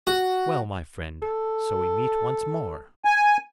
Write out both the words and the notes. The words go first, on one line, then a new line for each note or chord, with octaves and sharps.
'Well, my friend, so we meet once more!
F#4
A4
G#5